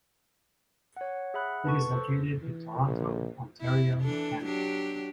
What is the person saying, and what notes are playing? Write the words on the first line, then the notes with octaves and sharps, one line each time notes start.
It is located in Toronto, Ontario, Canada.
C#5 F#5
G#4 E5 F#5 B5 F#6
B4 A5 C#6
A4 C5
E3
A#1
E4
E3 D4 A4
F#3 D4 G4